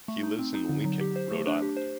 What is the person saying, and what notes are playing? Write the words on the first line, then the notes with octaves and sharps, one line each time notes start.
He lives in Lincoln, Rhode Island.
A3
D#4
C4
D#4
D3
F#3
G4
C5
A3
D4
G4
C5